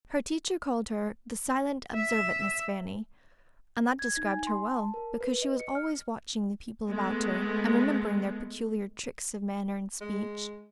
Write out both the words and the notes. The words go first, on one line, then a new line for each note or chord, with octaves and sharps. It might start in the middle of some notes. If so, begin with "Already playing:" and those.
Her teacher called her "the silent, observant Miss Fanny," and that described her well, because she was always watching the people about her, and remembering their peculiar tricks of manner and speech.
E5
G#6
D#4
G#5
C6
A5
A#4
B4
D#5
C#7
F6
G#3 A3 B3
G#3